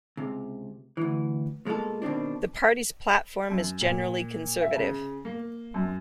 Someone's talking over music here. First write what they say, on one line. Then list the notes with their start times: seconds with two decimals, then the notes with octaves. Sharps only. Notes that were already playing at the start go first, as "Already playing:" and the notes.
The Party's platform is generally conservative.
0.17 C#2 C3
0.97 D2 E3
1.65 B2 G#3 A#3 F4 A4
2.02 B2 D#3 C4 D4
3.50 F#2
3.81 A#2
4.61 E5
4.76 C#3
5.25 A#3
5.74 F#2